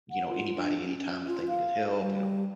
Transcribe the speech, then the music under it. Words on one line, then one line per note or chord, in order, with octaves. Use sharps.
you know, anybody anytime if they needed help, you know
F#5
F4
D4
C#4
C#4
F4
F5
G3